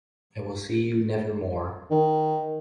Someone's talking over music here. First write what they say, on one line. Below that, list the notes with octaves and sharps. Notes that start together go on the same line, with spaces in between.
I will see you never more.
D#3